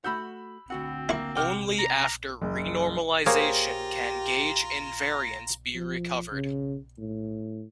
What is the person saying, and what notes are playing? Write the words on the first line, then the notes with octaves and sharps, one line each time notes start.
Only after renormalization can gauge invariance be recovered.
A3 F#4 F#5 B5 E6 G6
D2 C4 F#4 F#5
A#3 E4 C#6
C3 F#5 G5 D6 F6
A#5
F#1
A#3 F4 G4 G#4 C5 C#5 A#5
F3
C#3
A2